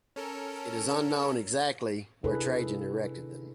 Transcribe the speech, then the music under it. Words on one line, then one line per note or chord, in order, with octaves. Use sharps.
It is unknown exactly where Trajan erected them.
C#4 A4 A#4
C3 D4 E4 G#4 A4 B4